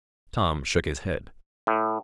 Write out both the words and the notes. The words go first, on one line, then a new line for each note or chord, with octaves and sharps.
Tom shook his head.
A2